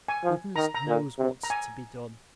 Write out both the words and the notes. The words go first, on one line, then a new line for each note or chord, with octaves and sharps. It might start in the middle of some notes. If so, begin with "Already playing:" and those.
Goodness knows what's to be done.
G#5
F3
D#3 A#5
A#5
A#2
C3
A#5
G#5